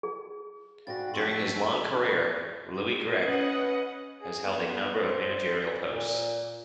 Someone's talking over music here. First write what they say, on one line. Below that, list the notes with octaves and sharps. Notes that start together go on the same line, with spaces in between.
During his long career, Louis Grech has held a number of managerial posts.
G#4
G#2 F#4 D5 F5 G5 B5 A6 A#6
F2 A4 C6 C#6 B6
C#4 B4 D#5 F#5
G#4
B3
C5
A#2